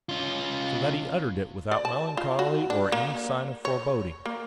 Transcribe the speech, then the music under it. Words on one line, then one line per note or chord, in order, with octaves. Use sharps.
So that he uttered it without melancholy or any sign of foreboding.
C#4 F4
D5
A5
F4
F#4
D4
A#3
C#5
A#3